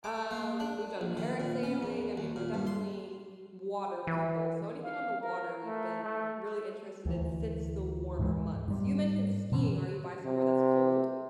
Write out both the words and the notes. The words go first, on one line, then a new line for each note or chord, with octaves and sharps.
Um, we've done parasailing. I mean, we're definitely w water people, so anything on the water, we've been really interested in since the warmer months. You mentioned skiing. Are you by somewhere that's cold?
D6
A#3
D4
A#1
D#3
A#2
C#4
E2
D#2
A#2
G2
C6
E3
F5
A#4
A3
A3
D2 E3
G#2 E3 F3 G#3
G#2 G3
B2 D3 E3 C#4
C3